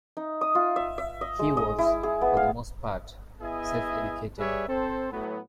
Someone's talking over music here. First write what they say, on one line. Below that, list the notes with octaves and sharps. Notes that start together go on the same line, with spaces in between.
He was, for the most part, self-educated.
D#4
D#6
F4
E5
E5
D#5
G#3
D#5
E4
G#4
B3
F5
B3 E4 G#4 D#5 E5 G#5
G3 G#4 B4 C#5 D5 E5
C4 A4 C5
A2 F#3 B3